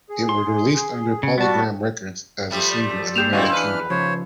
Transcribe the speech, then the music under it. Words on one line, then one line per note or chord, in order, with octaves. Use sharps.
It was released under PolyGram Records as a single in the United Kingdom.
G#4
C6
C#3
G3 B3 F#4 A5
F3 G3 A3
D5
A#3 G4 G#4 G6 E7 F7
F#2 C4 E4 F#4 D5 D#5 F5 G#5
E3 D4 B4 F6
C#3 F3 C5 C#5